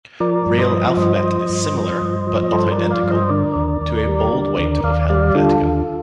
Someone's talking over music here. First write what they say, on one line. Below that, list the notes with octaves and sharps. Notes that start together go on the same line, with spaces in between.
Rail Alphabet is similar, but not identical, to a bold weight of Helvetica.
F3 A#4 D5
G2
C5 D#5
F3
G2 C5 D#5
F3
G2
F3
G2
F3
G2 A4 C5
A#4 D5
F3
D5 F5
G2
C5 D#5
D3 A#4 D5
D#2
D#2
G3
D3
D#2
D#2 D5 F5
G3 D5 F5
D3 F4 A4
D#2